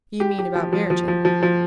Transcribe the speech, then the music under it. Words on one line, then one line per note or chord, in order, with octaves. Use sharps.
"You mean about Merton?"
G4
G4
F3
F3
F3
F3
F3
F3